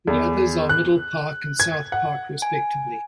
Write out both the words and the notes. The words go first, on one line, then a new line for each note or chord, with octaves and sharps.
The others are Middle Park and South Park respectively.
E2
F#6
G#6
F#5
G#5